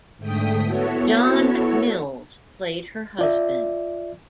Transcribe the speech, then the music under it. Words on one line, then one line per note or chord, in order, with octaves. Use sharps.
John Mills played her husband.
G#2 D3 A3 G5 D#6 B6
B3 E4 F#4 A4 C#5
F4 D5 E5